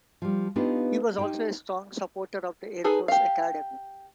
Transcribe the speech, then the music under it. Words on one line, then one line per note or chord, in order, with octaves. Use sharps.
He was also a strong supporter of the Air Force Academy.
F3 G3
B3 D4 D#4 F4 G4 B4
D#4 G4 C5 G5
D#4 G#4 A4 B4
G4 F5